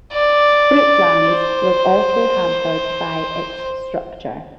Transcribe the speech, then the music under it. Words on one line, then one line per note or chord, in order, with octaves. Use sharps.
Fruitlands was also hampered by its structure.
D5
C5